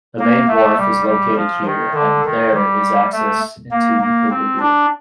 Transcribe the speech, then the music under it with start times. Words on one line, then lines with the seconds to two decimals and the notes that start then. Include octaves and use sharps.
The main wharf is located here, and there is access into the lagoon.
0.19 A#3
0.48 A3
0.77 G3
1.06 G3
1.36 F3
1.65 D#3
1.94 D3
2.25 D#3
2.53 G3
3.12 A3
3.71 A#3
4.00 A#3
4.30 C4
4.59 D4